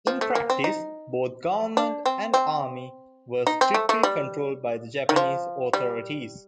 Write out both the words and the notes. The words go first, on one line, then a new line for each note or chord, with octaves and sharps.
In practice, both government and army were strictly controlled by the Japanese authorities.
F3
A3
A#3
C4
D#4
D4
C4
C4
D#4
C4
A3
A3
G3
D#3
F3
G3